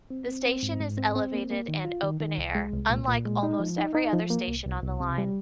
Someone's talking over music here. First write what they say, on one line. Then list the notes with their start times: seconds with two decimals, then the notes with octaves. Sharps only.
The station is elevated and open-air, unlike almost every other station on the line.
0.10 C4
0.27 C4
0.46 C4
0.63 G#2
0.80 G#2
0.98 C4
1.15 C4
1.33 A#3
1.51 A#3
1.68 D#3
1.85 F4
2.03 D#3
2.20 D#3
2.38 C2
2.55 G#3
2.73 C2
2.90 A#2
3.08 A#2
3.25 G#3
3.43 D#4
3.60 F3
3.78 D#4
3.95 D#4
4.13 F3
4.30 A#3
4.48 C2
4.65 C2
4.82 C2
5.00 C3
5.18 G3